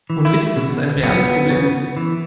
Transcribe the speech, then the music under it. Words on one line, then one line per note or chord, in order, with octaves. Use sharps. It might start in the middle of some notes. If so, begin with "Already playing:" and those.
Ohne Witz, das ist ein reales Problem.
E3
E4
B2
F#3 B3
C#3
E3